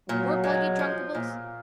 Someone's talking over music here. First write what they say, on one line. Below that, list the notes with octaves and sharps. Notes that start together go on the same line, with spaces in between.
More bluggy drunkables?
A#2 F#3
G#3
F3
A#2